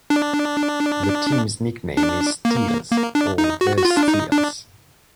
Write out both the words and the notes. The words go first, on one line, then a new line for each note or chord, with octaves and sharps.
The team's nickname is "Steels" or "The Steels".
D4
D4
A#3
A#3
D4
D#4
F#4
F#4
F4
D4
D#4
D4